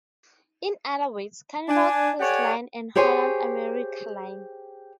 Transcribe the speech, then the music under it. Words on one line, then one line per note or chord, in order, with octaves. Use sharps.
In other words, Carnival Cruise Line and Holland America Line.
D4 G#5
G4 A4 C#5 D5 F#5 G#5
G4 G#4 C5 C#5 G#5